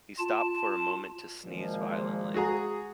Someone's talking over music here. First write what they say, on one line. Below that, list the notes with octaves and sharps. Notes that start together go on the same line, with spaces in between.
He stopped for a moment to sneeze violently.
F4 A5
G#1 A#2 F3 G#3
F#4 G#4 A#5